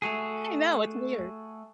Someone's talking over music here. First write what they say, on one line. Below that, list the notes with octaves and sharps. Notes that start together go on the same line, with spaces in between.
I know, it's weird.
A3 F#4 G#4